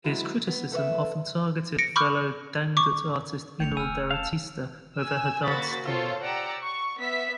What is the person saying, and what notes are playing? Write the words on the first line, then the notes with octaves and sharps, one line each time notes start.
His criticism often targeted fellow dangdut artist Inul Daratista over her dance style.
E3 F#3 G#3 E4
B3
A4 B4 C#5 E5
A#6 C#7 D7
B5 C#6 D6 F6 G6
C#6 D6
A#1 A3 G6 C#7 F7
E1 G#5 E6 F6
F5 A5
G#5 E6
A#3 F#4 C5 B5 A6
F4 A4 C5 C#5
G4 D5 F#5 A#5 E6
C#6
B3 E5 B6